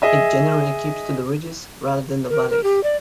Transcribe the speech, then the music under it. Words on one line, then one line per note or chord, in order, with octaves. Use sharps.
It generally keeps to the ridges rather than the valleys.
G#4 D#5 E5
A#4
A#4
G4
D5